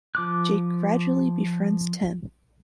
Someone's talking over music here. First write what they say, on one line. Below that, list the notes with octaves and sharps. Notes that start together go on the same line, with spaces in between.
Jake gradually befriends Tim.
F3 D6 F#6